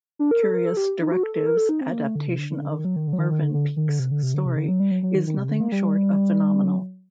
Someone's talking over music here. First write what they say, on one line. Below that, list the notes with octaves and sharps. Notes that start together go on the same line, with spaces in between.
Curious Directive's adaptation of Mervyn Peake's story is nothing short of phenomenal.
D4
A#4
A4
A#4
A4
G4
D#4
F#4
A4
A4
A#4
A4
D#4
C4
A#3
A3
D3
C3
D3
D3
D3
D#3
F#3
D#3
D3
F#3
D#3
D#3
D3
D3
D#3
D3
C3
D3
C3
D3
C3
D3
F#3
G3
F#3
F#3
D#3
D#3
C3
D3
A#3
G3
F#3